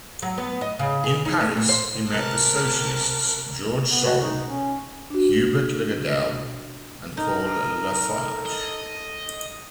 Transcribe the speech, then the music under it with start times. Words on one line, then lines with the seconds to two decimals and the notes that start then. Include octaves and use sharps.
In Paris he met the socialists Georges Sorel, Hubert Lagardelle and Paul Lafargue.
0.22 F#3
0.38 B3
0.61 D#5
0.79 C#3
1.04 G#4
1.25 D#4
1.41 A3
1.57 A#2
1.69 C5
2.07 C3 A#4 A5 F#6
3.90 B3
4.04 F#4
4.22 D#4
4.43 C#4
5.10 D4 F#4
7.17 D#4 A4 A#4
8.46 D#5